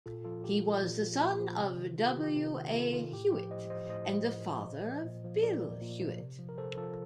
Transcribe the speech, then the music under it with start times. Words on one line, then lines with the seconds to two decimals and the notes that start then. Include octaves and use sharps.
He was the son of W. A. Hewitt, and the father of Bill Hewitt.
0.06 A#2 F4 A4
0.25 F3 F4 A4
0.44 A#2 G4
0.63 F3
0.82 A#2
1.02 F3
1.21 A#2
1.40 F3
1.59 C3
1.78 D#3
1.98 C3 F4
2.10 G4
2.17 D#3
2.24 G4
2.36 C3
2.55 D#3
2.74 C3 F4 A4
2.93 D#3 F4
3.13 A2 G4
3.32 F3 G4
3.51 A2 C5 D#5
3.70 F3 C5 D#5
3.89 A2 C5 D#5
4.09 F3
4.28 A2
4.47 F3
4.66 A#2
4.85 F3
5.04 A#2
5.24 F3
5.43 A#2 A#4 D5
5.63 F3
5.81 A#2
6.01 F3
6.20 C3
6.39 F3
6.49 A#4
6.58 C3 A4 C5
6.77 F3 F4 A4